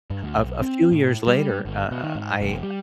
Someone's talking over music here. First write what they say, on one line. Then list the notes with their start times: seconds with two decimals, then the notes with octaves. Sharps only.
a a few years later, uh, I
0.10 G2
0.23 D2
0.37 B1
0.62 C4
0.92 A2
1.27 G3
1.65 G1
1.91 B2
2.04 D#3
2.15 G#2
2.41 F1
2.63 G3